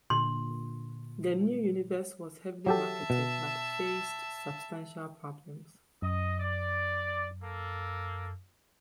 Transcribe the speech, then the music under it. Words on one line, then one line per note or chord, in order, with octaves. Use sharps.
The New Universe was heavily marketed, but faced substantial problems.
A#2 D3 C6
F#3 G4 A4 E5 A5
B2
F#2 D#5
D5
A#3 A4